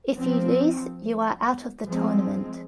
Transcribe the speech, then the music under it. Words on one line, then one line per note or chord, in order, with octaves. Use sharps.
If you lose, you are out of the tournament.
F3 C4
F3 G#3 C4